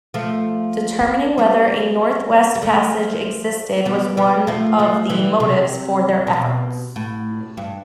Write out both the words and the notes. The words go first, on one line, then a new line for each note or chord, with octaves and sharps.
Determining whether a Northwest Passage existed was one of the motives for their efforts.
F3 A3
G3 B3
G3
F3 A3
G3 B3
G3 B3
F3 A3
F3 A3
E3 G3
C3
C3
B2
A2
G2